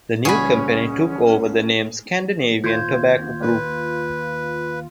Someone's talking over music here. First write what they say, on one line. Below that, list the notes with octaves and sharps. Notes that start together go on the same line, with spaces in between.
The new company took over the name Scandinavian Tobacco Group.
C#2 G3 C#4 G#4 C#5 F#5 B5
D#2 F4 C5 G6 G#6
B4